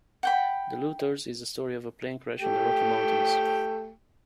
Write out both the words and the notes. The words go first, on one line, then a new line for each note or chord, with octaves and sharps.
"The Looters" is the story of a plane crash in the Rocky Mountains.
F#5 G5 B5
A3 G4 G5